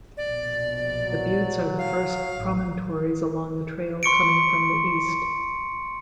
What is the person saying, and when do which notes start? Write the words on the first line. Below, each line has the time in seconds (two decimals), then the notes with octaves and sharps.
The buttes are the first promontories along the trail coming from the east.
0.17 A#1 B2 D5
1.05 F#3
1.78 F5
2.36 A1
4.03 C6 C#6 C#7 D7